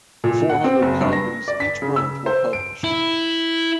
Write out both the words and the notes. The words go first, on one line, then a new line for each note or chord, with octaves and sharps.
Four hundred copies each month were published.
A#2
F#5
C4
F#1
G2
A#6
D5
B6
C#3
E6
C5
D7
E4